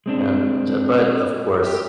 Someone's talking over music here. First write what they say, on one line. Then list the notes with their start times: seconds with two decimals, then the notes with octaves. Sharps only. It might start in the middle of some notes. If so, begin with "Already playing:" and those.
and j but, of course,
0.06 G#3 C4 D4
1.67 G4